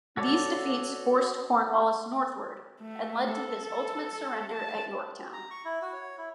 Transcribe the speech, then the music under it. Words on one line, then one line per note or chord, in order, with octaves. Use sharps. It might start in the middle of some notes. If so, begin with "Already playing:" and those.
These defeats forced Cornwallis northward, and led to his ultimate surrender at Yorktown.
F#4 A4 C#5 D5
A3
A4
A5
A#5
C#6
E4
F#4
C#5
E4